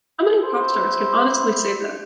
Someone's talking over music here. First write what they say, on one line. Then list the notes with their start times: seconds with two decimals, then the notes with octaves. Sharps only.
How many popstars can honestly say that?
0.44 E4 C5